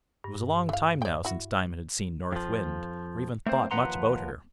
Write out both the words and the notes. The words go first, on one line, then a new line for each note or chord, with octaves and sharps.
It was a long time now since Diamond had seen North Wind, or even thought much about her.
G2
E3 F5
D5 G5
E4 F#4
F2 F3
A3 A#3 C4 C5
D#2 F3 B4 F#5 A#5 C6